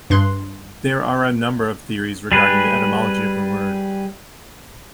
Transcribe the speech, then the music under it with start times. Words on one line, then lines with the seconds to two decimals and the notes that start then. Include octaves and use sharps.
There are a number of theories regarding the etymology of the word.
0.10 G2 C6 F#6
2.32 G3 G#4 B4